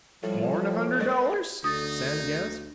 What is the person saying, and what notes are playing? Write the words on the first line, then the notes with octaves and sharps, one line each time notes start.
"More'n a hunderd DOLLARS?" Sam gasped.
A2 F3 G3
G#3 A#4 C#5 A6
D2 D3 D#4 D#6 A6